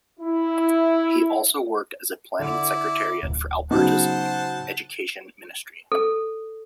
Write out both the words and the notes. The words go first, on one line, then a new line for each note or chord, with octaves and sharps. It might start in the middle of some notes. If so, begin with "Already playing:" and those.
He also worked as a planning secretariat for Alberta's Education ministry.
E4
D3 E4 D5
D1
C#3 F#3 B3 D#4 C5 F#5 A5
A4